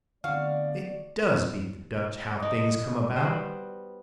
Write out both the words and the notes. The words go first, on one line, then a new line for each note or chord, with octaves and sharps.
"It does beat the Dutch how things come about!"
D3 A3 B3 C4 F#4 D5 F5
D#4 D5
G3 B3 F#4 C5